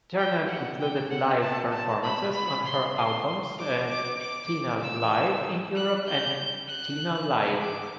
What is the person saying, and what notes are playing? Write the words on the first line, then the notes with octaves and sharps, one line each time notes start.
Turner included live performances on her albums, "Tina Live in Europe" and "Tina Live".
G5
F#5
G5
F#5
A5
A5
B5
B5
C6
C6
D6
D6
D6
E6
F#6
G6
F#6
D6